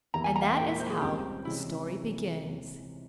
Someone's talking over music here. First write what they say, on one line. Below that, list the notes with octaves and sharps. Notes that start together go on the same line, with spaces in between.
And that is how this story begins.
E2 E3 A#3 E4 G4 A#5
G#5
A#5
F5
G5
A#2 G#3 E4 A#4 G5
E5
C5
G#4
C#2 C#3 G3 C4 G4
C3 E3 G#3 C#4 E4